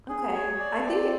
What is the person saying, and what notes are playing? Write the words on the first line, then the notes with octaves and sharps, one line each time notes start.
Okay. I think it
G#4
C#5
D5
C4